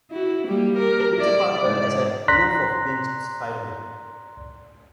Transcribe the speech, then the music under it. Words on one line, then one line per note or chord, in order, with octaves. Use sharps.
Peter Parker has had enough of being Spider-Man.
E4 F#4
G3 A#3 G4
G4 A#4
E4 D5
G#2 D5
D5 A#5 C6 F#6 A#6 B6